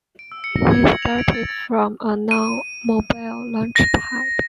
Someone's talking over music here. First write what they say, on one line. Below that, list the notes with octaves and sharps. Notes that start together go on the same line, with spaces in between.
They started from a non-mobile launch pad.
D7
E6
C#7
A#6
G#6
F#7
F7
D7
A6
A6
D#7
A#6